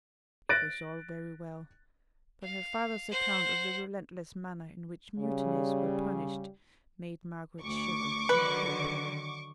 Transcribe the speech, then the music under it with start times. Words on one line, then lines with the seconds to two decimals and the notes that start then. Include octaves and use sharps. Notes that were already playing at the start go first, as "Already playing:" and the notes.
It was all very well; but her father's account of the relentless manner in which mutinies were punished made Margaret shiver and creep.
0.49 F#6 A6 A#6 D7
2.43 F5
3.10 C5 F#5
5.19 C#3 G3
7.63 D2 C#6 D6
8.29 D3 D#3 F#3 B4